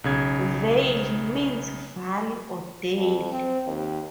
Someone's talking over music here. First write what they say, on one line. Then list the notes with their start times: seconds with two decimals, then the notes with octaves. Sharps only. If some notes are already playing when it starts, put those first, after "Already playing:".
"Vale" means valley or dale.
0.04 B1 C#3 G#6
2.97 F2
3.32 C4
3.66 D#2